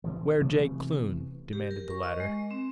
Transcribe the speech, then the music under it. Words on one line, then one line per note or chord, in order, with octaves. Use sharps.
"Where Jake Kloon?" demanded the latter.
B2 E3 F3
C3 E3 A3 B3
G4
A#4
C#6
D#5
G#3
C4